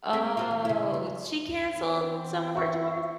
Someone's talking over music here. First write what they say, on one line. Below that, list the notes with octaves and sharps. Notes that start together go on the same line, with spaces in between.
Oh, she canceled some of her tours?
G#3 C4 E5
F4 F#4 C5
E3
C#3 E4
E2
E3 B3 C4
E5 C#6